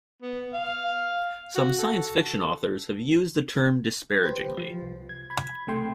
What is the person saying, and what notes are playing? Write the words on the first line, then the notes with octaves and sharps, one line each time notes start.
Some science fiction authors have used the term disparagingly.
B3
F5
F#4
A4
G4 B4 C5
F3
C2
G#6
B5 G#6
B1 C3 A3 G5 C6